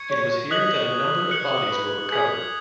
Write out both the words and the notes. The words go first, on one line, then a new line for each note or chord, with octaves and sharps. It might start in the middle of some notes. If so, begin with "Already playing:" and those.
It was here that a number of bodies were recovered.
Already playing: C#6 G#6 C#7
C#5
D#5 D#6 F#6 B6 F#7
F#6 C#7 F#7
B4
G#4 D#6 G#6 B6 F#7